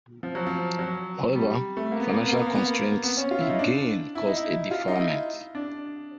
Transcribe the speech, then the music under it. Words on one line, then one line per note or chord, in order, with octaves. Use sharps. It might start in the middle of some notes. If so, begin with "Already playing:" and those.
However, financial constraints again caused a deferment.
F3
F#3
F3
F#3
G3
A3
A#3
B3
A#3
B3
A#3
B3
A#3
B3
A#3
B3
C#4
F4
E4
D#4
D4
E4
D#4
E4
F4
D#4
E4
D4